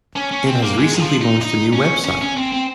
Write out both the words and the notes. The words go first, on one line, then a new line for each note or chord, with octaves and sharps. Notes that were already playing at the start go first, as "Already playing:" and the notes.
It has recently launched a new website.
C#4
C#4
C4
A#3
G#3
D#3
F3
D#4
D#4
C#4
C#4
C#4
C4
C4